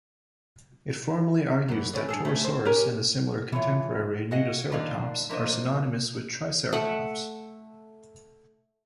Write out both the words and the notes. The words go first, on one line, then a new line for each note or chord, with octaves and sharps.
It formally argues that "Torosaurus" and the similar contemporary "Nedoceratops" are synonymous with "Triceratops".
F#2 E3
D3 C#4 E4
G2 G#4 A4
A3 C#4 E4
C5
C#4 G4 A#4
E3 A3 F4 C#5
F#4 G#4 D#5 F5 F#5
D3 D#3 A#3 D4 D5 F5
F3 A#3 D4 C5 D#5
A3 F#5